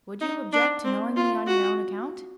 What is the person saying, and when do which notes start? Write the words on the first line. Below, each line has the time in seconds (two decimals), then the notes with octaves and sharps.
"Would you object to knowing me on your own account?"
0.21 D#4
0.53 D4
0.84 C4
1.16 F4
1.47 F#4